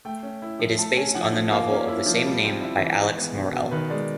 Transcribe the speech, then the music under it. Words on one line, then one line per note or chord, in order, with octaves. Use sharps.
It is based on the novel of the same name by Alex Morel.
A3 G5
C#4
E4
F3
A3 A5
C#4 G#5
F3 F#5
F3
A#3 F5
C#4
E4
F3
G3
C4
E4
E3
G#3 C5
B3
B2
B2
D#3 B4
G#3 D5